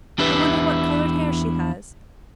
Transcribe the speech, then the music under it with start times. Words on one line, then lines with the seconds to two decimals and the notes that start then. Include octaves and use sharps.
I wonder what coloured hair she has.
0.18 E2 D4 E4 G4 B4 E5